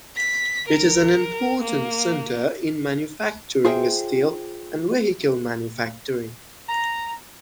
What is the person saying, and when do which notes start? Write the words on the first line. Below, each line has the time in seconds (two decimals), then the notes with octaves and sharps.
It is an important center in manufacturing steel and vehicle manufacturing.
0.17 B6
0.68 A#4
1.62 A#3
3.65 F4 G#4 C5 E5 G5
6.69 A#5